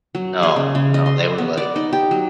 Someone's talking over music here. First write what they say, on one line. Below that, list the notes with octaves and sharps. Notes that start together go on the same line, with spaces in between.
No, no. They were, like
F#3
G#4
C#3
C#3
D#5
C6
B3
D5
D#4
G4
F#3